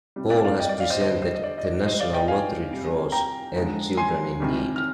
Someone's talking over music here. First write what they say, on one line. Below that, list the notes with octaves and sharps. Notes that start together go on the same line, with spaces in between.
Ball has presented "The National Lottery Draws" and "Children in Need".
C3 G3
D5 F5
D5 F5
D#5 G5
D5
D5 F5
C5 D#5
D3 G3 C5 D#5
C5 D#5
D#5
D5
D#5
D5
A#2 G3 C5 D#5
D5 F5
D#5 G5
F5 G#5
C3 G3
G5 A#5
D3 F3 G#3
G#5 C6
C3 D#3 G3
F6